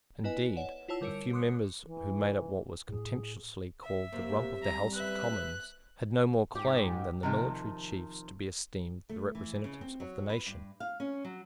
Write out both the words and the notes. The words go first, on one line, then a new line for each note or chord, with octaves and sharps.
Indeed the few members who made up what was contemptuously called the Rump of the House of Commons had no more claim than the military chiefs to be esteemed the representatives of the nation.
B3 E4 B4 D#5 G#5
C#5 D5 F#5 E7
E4 F4 C#5 A5 E6
D3 G3 A#4 C#5 C#7 D7
C6 D6 D#6 F#6 C#7
E3
A2 G#4
E5
F#2 C3 A#3
G3 A#5
B4 E5 F#6
G#2 G4
C3 D#3 F3
A3
E3
C#3
C4
F#3
B4
G2
F5
C#4
F#3